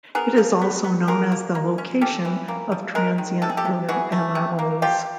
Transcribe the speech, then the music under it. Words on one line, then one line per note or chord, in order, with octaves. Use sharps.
It is also known as a location of Transient Lunar Anomalies.
B3 G#4 A#4
F3
B3
B3
D3 G#4 A#4
A#3
A#3
C#4
C#4 G4 A4
E3
A#3
F3
G#3 G#4 A#4
D#3
C3 A4
G#4
G4 A4
C3
E3 F#4 G#4
A3
C3
A#3
F3 F4 G4